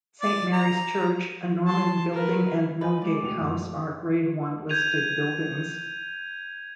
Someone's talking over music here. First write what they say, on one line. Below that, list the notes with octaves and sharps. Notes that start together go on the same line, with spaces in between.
Saint Mary's church, a Norman building and Milgate House are Grade One listed buildings.
D5
A#5
A5 C6
A#4 B4
B4 D#5 G#5
G#3 D5
B2 A3 G5 F7
F#2 B3 C#6
G6 G#6 D#7 F7